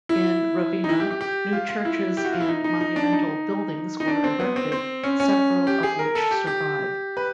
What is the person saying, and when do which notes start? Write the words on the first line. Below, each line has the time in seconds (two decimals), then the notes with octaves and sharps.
In Ravenna, new churches and monumental buildings were erected, several of which survive.
0.09 E4
0.84 D#4
0.89 E4
1.00 G4
1.11 G4
1.21 G4
1.53 F4
1.69 F4
1.85 E4
2.17 G4
2.25 F#4
2.32 F4
2.40 E4
2.49 D#4
2.64 D#4
2.81 D#4
2.96 D4
3.12 D#4
4.00 D#4
4.08 D4
4.24 C4
4.40 B3
4.56 C4
4.72 C4
5.04 C#4
5.20 C#4
5.67 G4
5.83 G#4
5.99 A#4
6.15 A4
6.31 G4
6.47 G4
7.17 B4